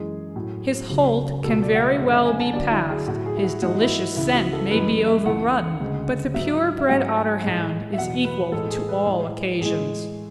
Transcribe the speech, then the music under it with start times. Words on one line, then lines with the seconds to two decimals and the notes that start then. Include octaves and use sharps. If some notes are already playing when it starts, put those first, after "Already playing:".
His holt can very well be passed, his delicious scent may be overrun; but the pure-bred Otterhound is equal to all occasions.
Already playing: F#2 E3 G#3 G#4
0.36 A2 F#3
0.90 C#2 C#3 F#3
1.44 C#2 B2 F#3 A4
1.63 D5
1.75 F#5
1.81 E5
1.99 F#2 D3 G#3 C#5
2.13 E5
2.26 G#5
2.40 A5
2.53 D2 D3 F#3 D5
2.71 E4
2.90 G#4
3.07 A2 F#3 F#4
3.26 G#4
3.37 E4
3.44 F#4
3.62 G#2 E3 G#3 F#4
3.80 E4
4.16 C#2 C#3 E3 E4
4.35 F#4
4.53 A4
4.71 F#2 E3 G#3 B4
5.07 E5
5.26 C#2 C#3 E3 F#5
5.80 D2 C#3 G#3
6.34 G#2 F#3 E5
6.79 E5
6.89 G#2 F#3 F#5
7.16 G#5
7.43 A2 G#3
7.93 E5
7.97 E2 B2 F#3 F#5
8.25 B4
8.52 A2 E3 G#3 A4
8.70 G#4
8.89 B4
9.06 A2 G#3
9.61 A2 E3 G#3 G#4